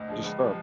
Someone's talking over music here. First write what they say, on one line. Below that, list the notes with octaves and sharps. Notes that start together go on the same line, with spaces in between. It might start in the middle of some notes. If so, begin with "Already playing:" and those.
Just stop,
Already playing: D2 D#5
D3 F3 G#3
C#2
C3 F3